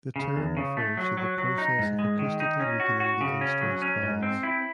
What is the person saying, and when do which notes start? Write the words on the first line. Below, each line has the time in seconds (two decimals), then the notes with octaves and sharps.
The term refers to the process of acoustically weakening the unstressed vowels.
0.16 C#3
0.36 E2
0.57 C#3
0.77 A3
0.97 F#3
1.17 F#3
1.38 F#3
1.58 D#4
1.78 G#2
1.99 G#3
2.19 D#3
2.40 D#4
2.60 C#4
2.80 F#4
3.00 F#4
3.21 C#3
3.41 C#4
3.61 F#3
3.82 C#4
4.03 G#2
4.23 C4
4.43 E4